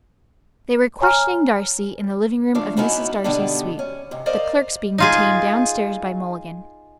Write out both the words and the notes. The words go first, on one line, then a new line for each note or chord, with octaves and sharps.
They were questioning Darcy in the living-room of Mrs. Darcy's suite, the clerks being detained downstairs by Mulligan.
C#5 G#5 A#5 F6
E3 A3 D4 F4
G#3 B3 C#4 D#4 E4 F#4
B2 D3 D#3 G3 B3 D4
C#4
G#2 C3
A#4 C5 D5 D#5 F5
D#4 F4 G#4